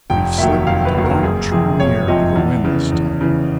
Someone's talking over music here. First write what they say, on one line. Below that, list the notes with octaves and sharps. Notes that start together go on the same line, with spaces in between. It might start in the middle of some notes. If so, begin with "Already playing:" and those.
"We've slipped a point too near to the wind this time."
F1 G5
D#2 D#3 F#3 E5
F1 F5
B4
D#2 D#3 F#3
A#4
F#1 G#4
F2 C3 F3 G#4
F#1 C#5
F2 C3 F3 D#5
E2
C#3 E3
E2
C#3 E3